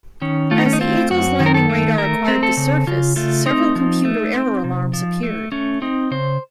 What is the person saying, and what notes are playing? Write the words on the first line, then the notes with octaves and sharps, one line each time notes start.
As the "Eagle"'s landing radar acquired the surface, several computer error alarms appeared.
D#3 C#4
A3 F4
D#4
C#4
D#4
C4 F4
F#2 F#4
D#3
A#4
A4
A3
A3 A#4
C4
A4
C#3
C#3 F4
A3 F4
C4 D#4
F3
A3
C4
C3
F3
A3
A3 C#4
C4 D#4
C#3 C5